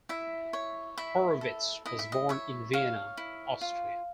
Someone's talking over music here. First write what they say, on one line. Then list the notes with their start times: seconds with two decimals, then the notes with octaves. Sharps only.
Horovitz was born in Vienna, Austria.
0.09 E4 E5
0.53 C#5
0.98 E4 E5
1.41 A4
1.86 E4 D#5
1.99 E5
2.12 D#5
2.29 C#5 E5
2.73 C#5 F5
3.17 E4
3.61 F4